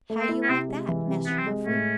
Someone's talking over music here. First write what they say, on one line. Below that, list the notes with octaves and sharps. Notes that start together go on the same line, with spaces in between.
How you like that, Master Humphrey?
A3
C4
E4
C#4
C3 C4
G#3
E3
C3
C3 B3
C4
G#3
A2 C#4